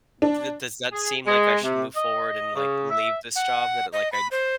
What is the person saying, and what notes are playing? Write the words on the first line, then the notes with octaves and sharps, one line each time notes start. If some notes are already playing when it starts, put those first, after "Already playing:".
d does that seem like I should move forward and, like, leave this job that, uh, like, I
D4
G#4
G#3
C3
D#5
C#3
E5
F#5
D#5
B5
C5